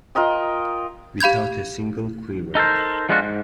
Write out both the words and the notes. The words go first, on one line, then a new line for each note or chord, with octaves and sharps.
Without a single quiver.
F4 A#4 D#5 G5
G4 F5 B5 G6 G#6
D#4 A4 A#4 C5
F3 G#3 B3 D4 F4 F#4
G#2